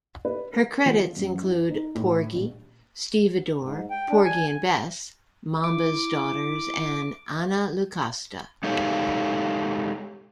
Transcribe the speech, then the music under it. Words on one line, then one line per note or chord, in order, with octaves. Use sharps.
Her credits include "Porgy", "Stevedore", "Porgy and Bess", "Mamba's Daughters" and "Anna Lucasta".
B4
A#4
F3
F#2
E4
D#4
A2
A#1
G#2
G5
D4
G#5
E4 D6
G#3 D#4 G4 A4 C#5 F5